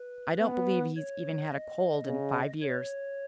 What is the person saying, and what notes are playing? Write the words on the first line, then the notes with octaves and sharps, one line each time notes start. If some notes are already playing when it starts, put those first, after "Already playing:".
I don't believe he's even had a cold in five years.
Already playing: B4
B3
C#5
D#5
C#3
C#5